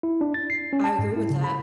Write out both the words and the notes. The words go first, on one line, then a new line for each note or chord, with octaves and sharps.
I agree with that.
E4
D4
A6
C7
C#4
A5
G#2
E4
C#3
B5